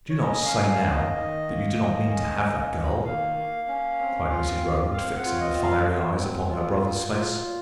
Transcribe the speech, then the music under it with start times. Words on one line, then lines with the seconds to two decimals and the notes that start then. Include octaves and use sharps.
"You do not say now that you do not mean to have that girl?" cried Mrs Rowland, fixing her fiery eyes upon her brother's face.
0.10 C#5
0.21 C#4 D#5
0.45 F5
0.53 A#3
0.69 F5
0.85 D#3
0.92 D#5
1.16 D#3
1.48 A#3
1.79 D#3
2.10 C#4
2.42 A#3
2.73 D#3
3.05 A#3 F5
3.36 A#3
3.68 C#4
3.99 C4
4.30 F4
4.61 C4
4.92 C4 F5
5.16 F#5
5.25 F4
5.33 C#5
5.40 D#5
5.55 A#2
5.63 F5
5.87 F#3
6.18 C4
6.50 F4
6.81 F#3
7.13 F4
7.44 A#2